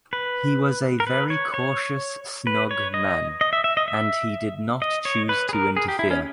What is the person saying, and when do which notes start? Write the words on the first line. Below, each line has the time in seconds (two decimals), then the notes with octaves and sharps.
He was a very cautious snug man, and he did not choose to interfere.
0.13 B4
1.00 A#4
1.07 B4
1.30 C#5
1.54 C#5
2.47 B4
2.71 C#5
2.94 D#5
3.41 D#5
3.53 E5
3.64 E5
3.77 D#5
3.88 E5
4.82 D#5
5.05 C#5
5.29 B4
5.49 G#4
5.53 A#4
5.77 G#4
5.88 G4
5.99 E4
6.11 C#4